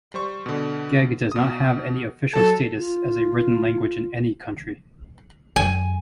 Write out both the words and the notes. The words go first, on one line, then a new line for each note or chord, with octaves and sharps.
Gheg does not have any official status as a written language in any country.
G3 C5 C#6
B2 D3
B2 D#6
F#3 A4 A5
F4
F#2 G#5